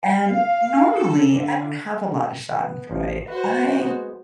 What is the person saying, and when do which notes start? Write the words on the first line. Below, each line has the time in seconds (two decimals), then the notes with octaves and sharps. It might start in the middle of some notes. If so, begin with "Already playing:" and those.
And, normally, I don't have a lot of schadenfreude. I
0.25 F5
0.92 A4
1.28 D3
2.60 B3
2.91 A1 F3
3.28 F#4 B4 C5
3.82 G#3 B3